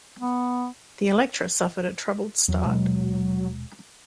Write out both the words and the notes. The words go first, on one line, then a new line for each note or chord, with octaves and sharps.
The Electra suffered a troubled start.
B3
E2 F#3
D#1 B2 G#3